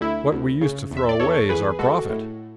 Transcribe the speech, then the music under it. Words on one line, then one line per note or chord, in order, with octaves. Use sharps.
What we used to throw away is our profit.
D2 E4
D2
C#3
E2
E5
D5
E2 A4 C#5
E2 G#4 B4
G#3 F#4 A4
A2